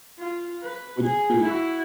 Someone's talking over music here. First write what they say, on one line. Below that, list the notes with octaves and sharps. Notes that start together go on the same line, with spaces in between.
Would you
F4
B4
G#4
E4 F#4